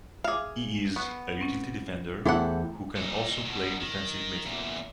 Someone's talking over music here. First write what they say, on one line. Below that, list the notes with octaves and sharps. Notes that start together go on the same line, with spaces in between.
He is a utility defender who can also play defensive midfield.
G#4 E5 F5 D6
B3 C#6 F#6
C4 C#4
E2 A3 E4 G4 A4 C5 F#5
A#2 D#4
B2 D#3
D#3
E2 A#2